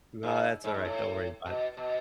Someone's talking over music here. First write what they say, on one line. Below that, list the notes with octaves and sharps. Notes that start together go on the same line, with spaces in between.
No, that's alright. Don't worry about it.
G#2
G#2
G#2
A2
B2
B2